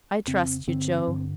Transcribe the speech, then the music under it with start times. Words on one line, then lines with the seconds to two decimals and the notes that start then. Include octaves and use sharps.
'I trust you, Jo.
0.28 F2 C#3 C4
0.67 G2 D3 C4
1.08 G2 D3